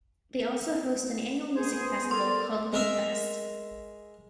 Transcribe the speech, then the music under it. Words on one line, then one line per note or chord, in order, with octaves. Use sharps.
They also host an annual music festival called "Lutefest".
B3 G#4 C5
A4 A#4 D5 C6
G#3 A#4 E5